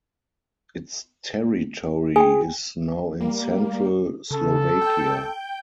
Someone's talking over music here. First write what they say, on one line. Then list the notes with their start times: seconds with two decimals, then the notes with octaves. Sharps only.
Its territory is now in central Slovakia.
2.16 G#4 G5 G#5
3.21 G3 A#3
4.31 C#3 A4
4.81 G5 G6